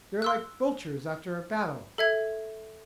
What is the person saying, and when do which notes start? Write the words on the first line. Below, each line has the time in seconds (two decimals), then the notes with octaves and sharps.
"They're like vultures after a battle."
0.22 C6 E6 F#6
1.98 A4 E5 G#6